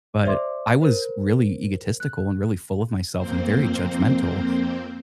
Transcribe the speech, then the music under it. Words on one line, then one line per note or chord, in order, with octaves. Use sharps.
but I was really egotistical, and really full of myself, and very judgmental.
C5 D5 E5 C6 D6
A#4 C5
F#6
F2 A#3 C4 C5